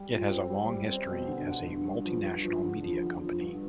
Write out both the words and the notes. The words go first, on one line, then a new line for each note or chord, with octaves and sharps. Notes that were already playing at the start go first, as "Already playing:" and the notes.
It has a long history as a multinational media company.
Already playing: G3
F4
C4
G3
G3
C4
B2
D3
D3
G2
G2
F3
G2
F3
D3
F3
D3
F3
G2